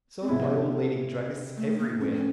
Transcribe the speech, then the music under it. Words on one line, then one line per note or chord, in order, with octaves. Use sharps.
Sold by all leading druggists everywhere.
C4
C3 F3 G#3 B3 C#4 E4
A3
A#3
A2 F3 A3 C4 C#4
C#4